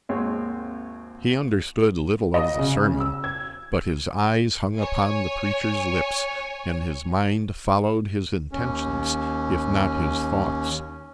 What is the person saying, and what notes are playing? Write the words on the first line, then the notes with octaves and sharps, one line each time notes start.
He understood little of the sermon; but his eyes hung upon the preacher's lips, and his mind followed his intentions if not his thoughts.
G#1 D#2 G#3 C4 C#5
D#5
C#3
E6
G#6
C#5 G#5
D#2 C#4